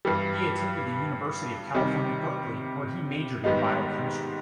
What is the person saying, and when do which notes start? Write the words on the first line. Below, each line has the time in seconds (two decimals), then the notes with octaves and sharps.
He attended the University of California, Berkeley where he majored in biochemistry.
0.05 G2 E3 G3
1.75 C3 D#3 G3
3.44 G#2 D#3 G3 B3 D#4